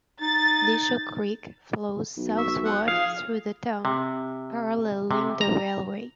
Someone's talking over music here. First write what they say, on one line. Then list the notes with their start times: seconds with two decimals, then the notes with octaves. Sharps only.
Lichau Creek flows southward through the town, paralleling the railway.
0.21 D#4 A6
2.17 B1
2.37 E5 C#6
2.65 F3 F#5
2.88 F3 G#4 F5
3.85 C3
5.11 C3
5.41 A#5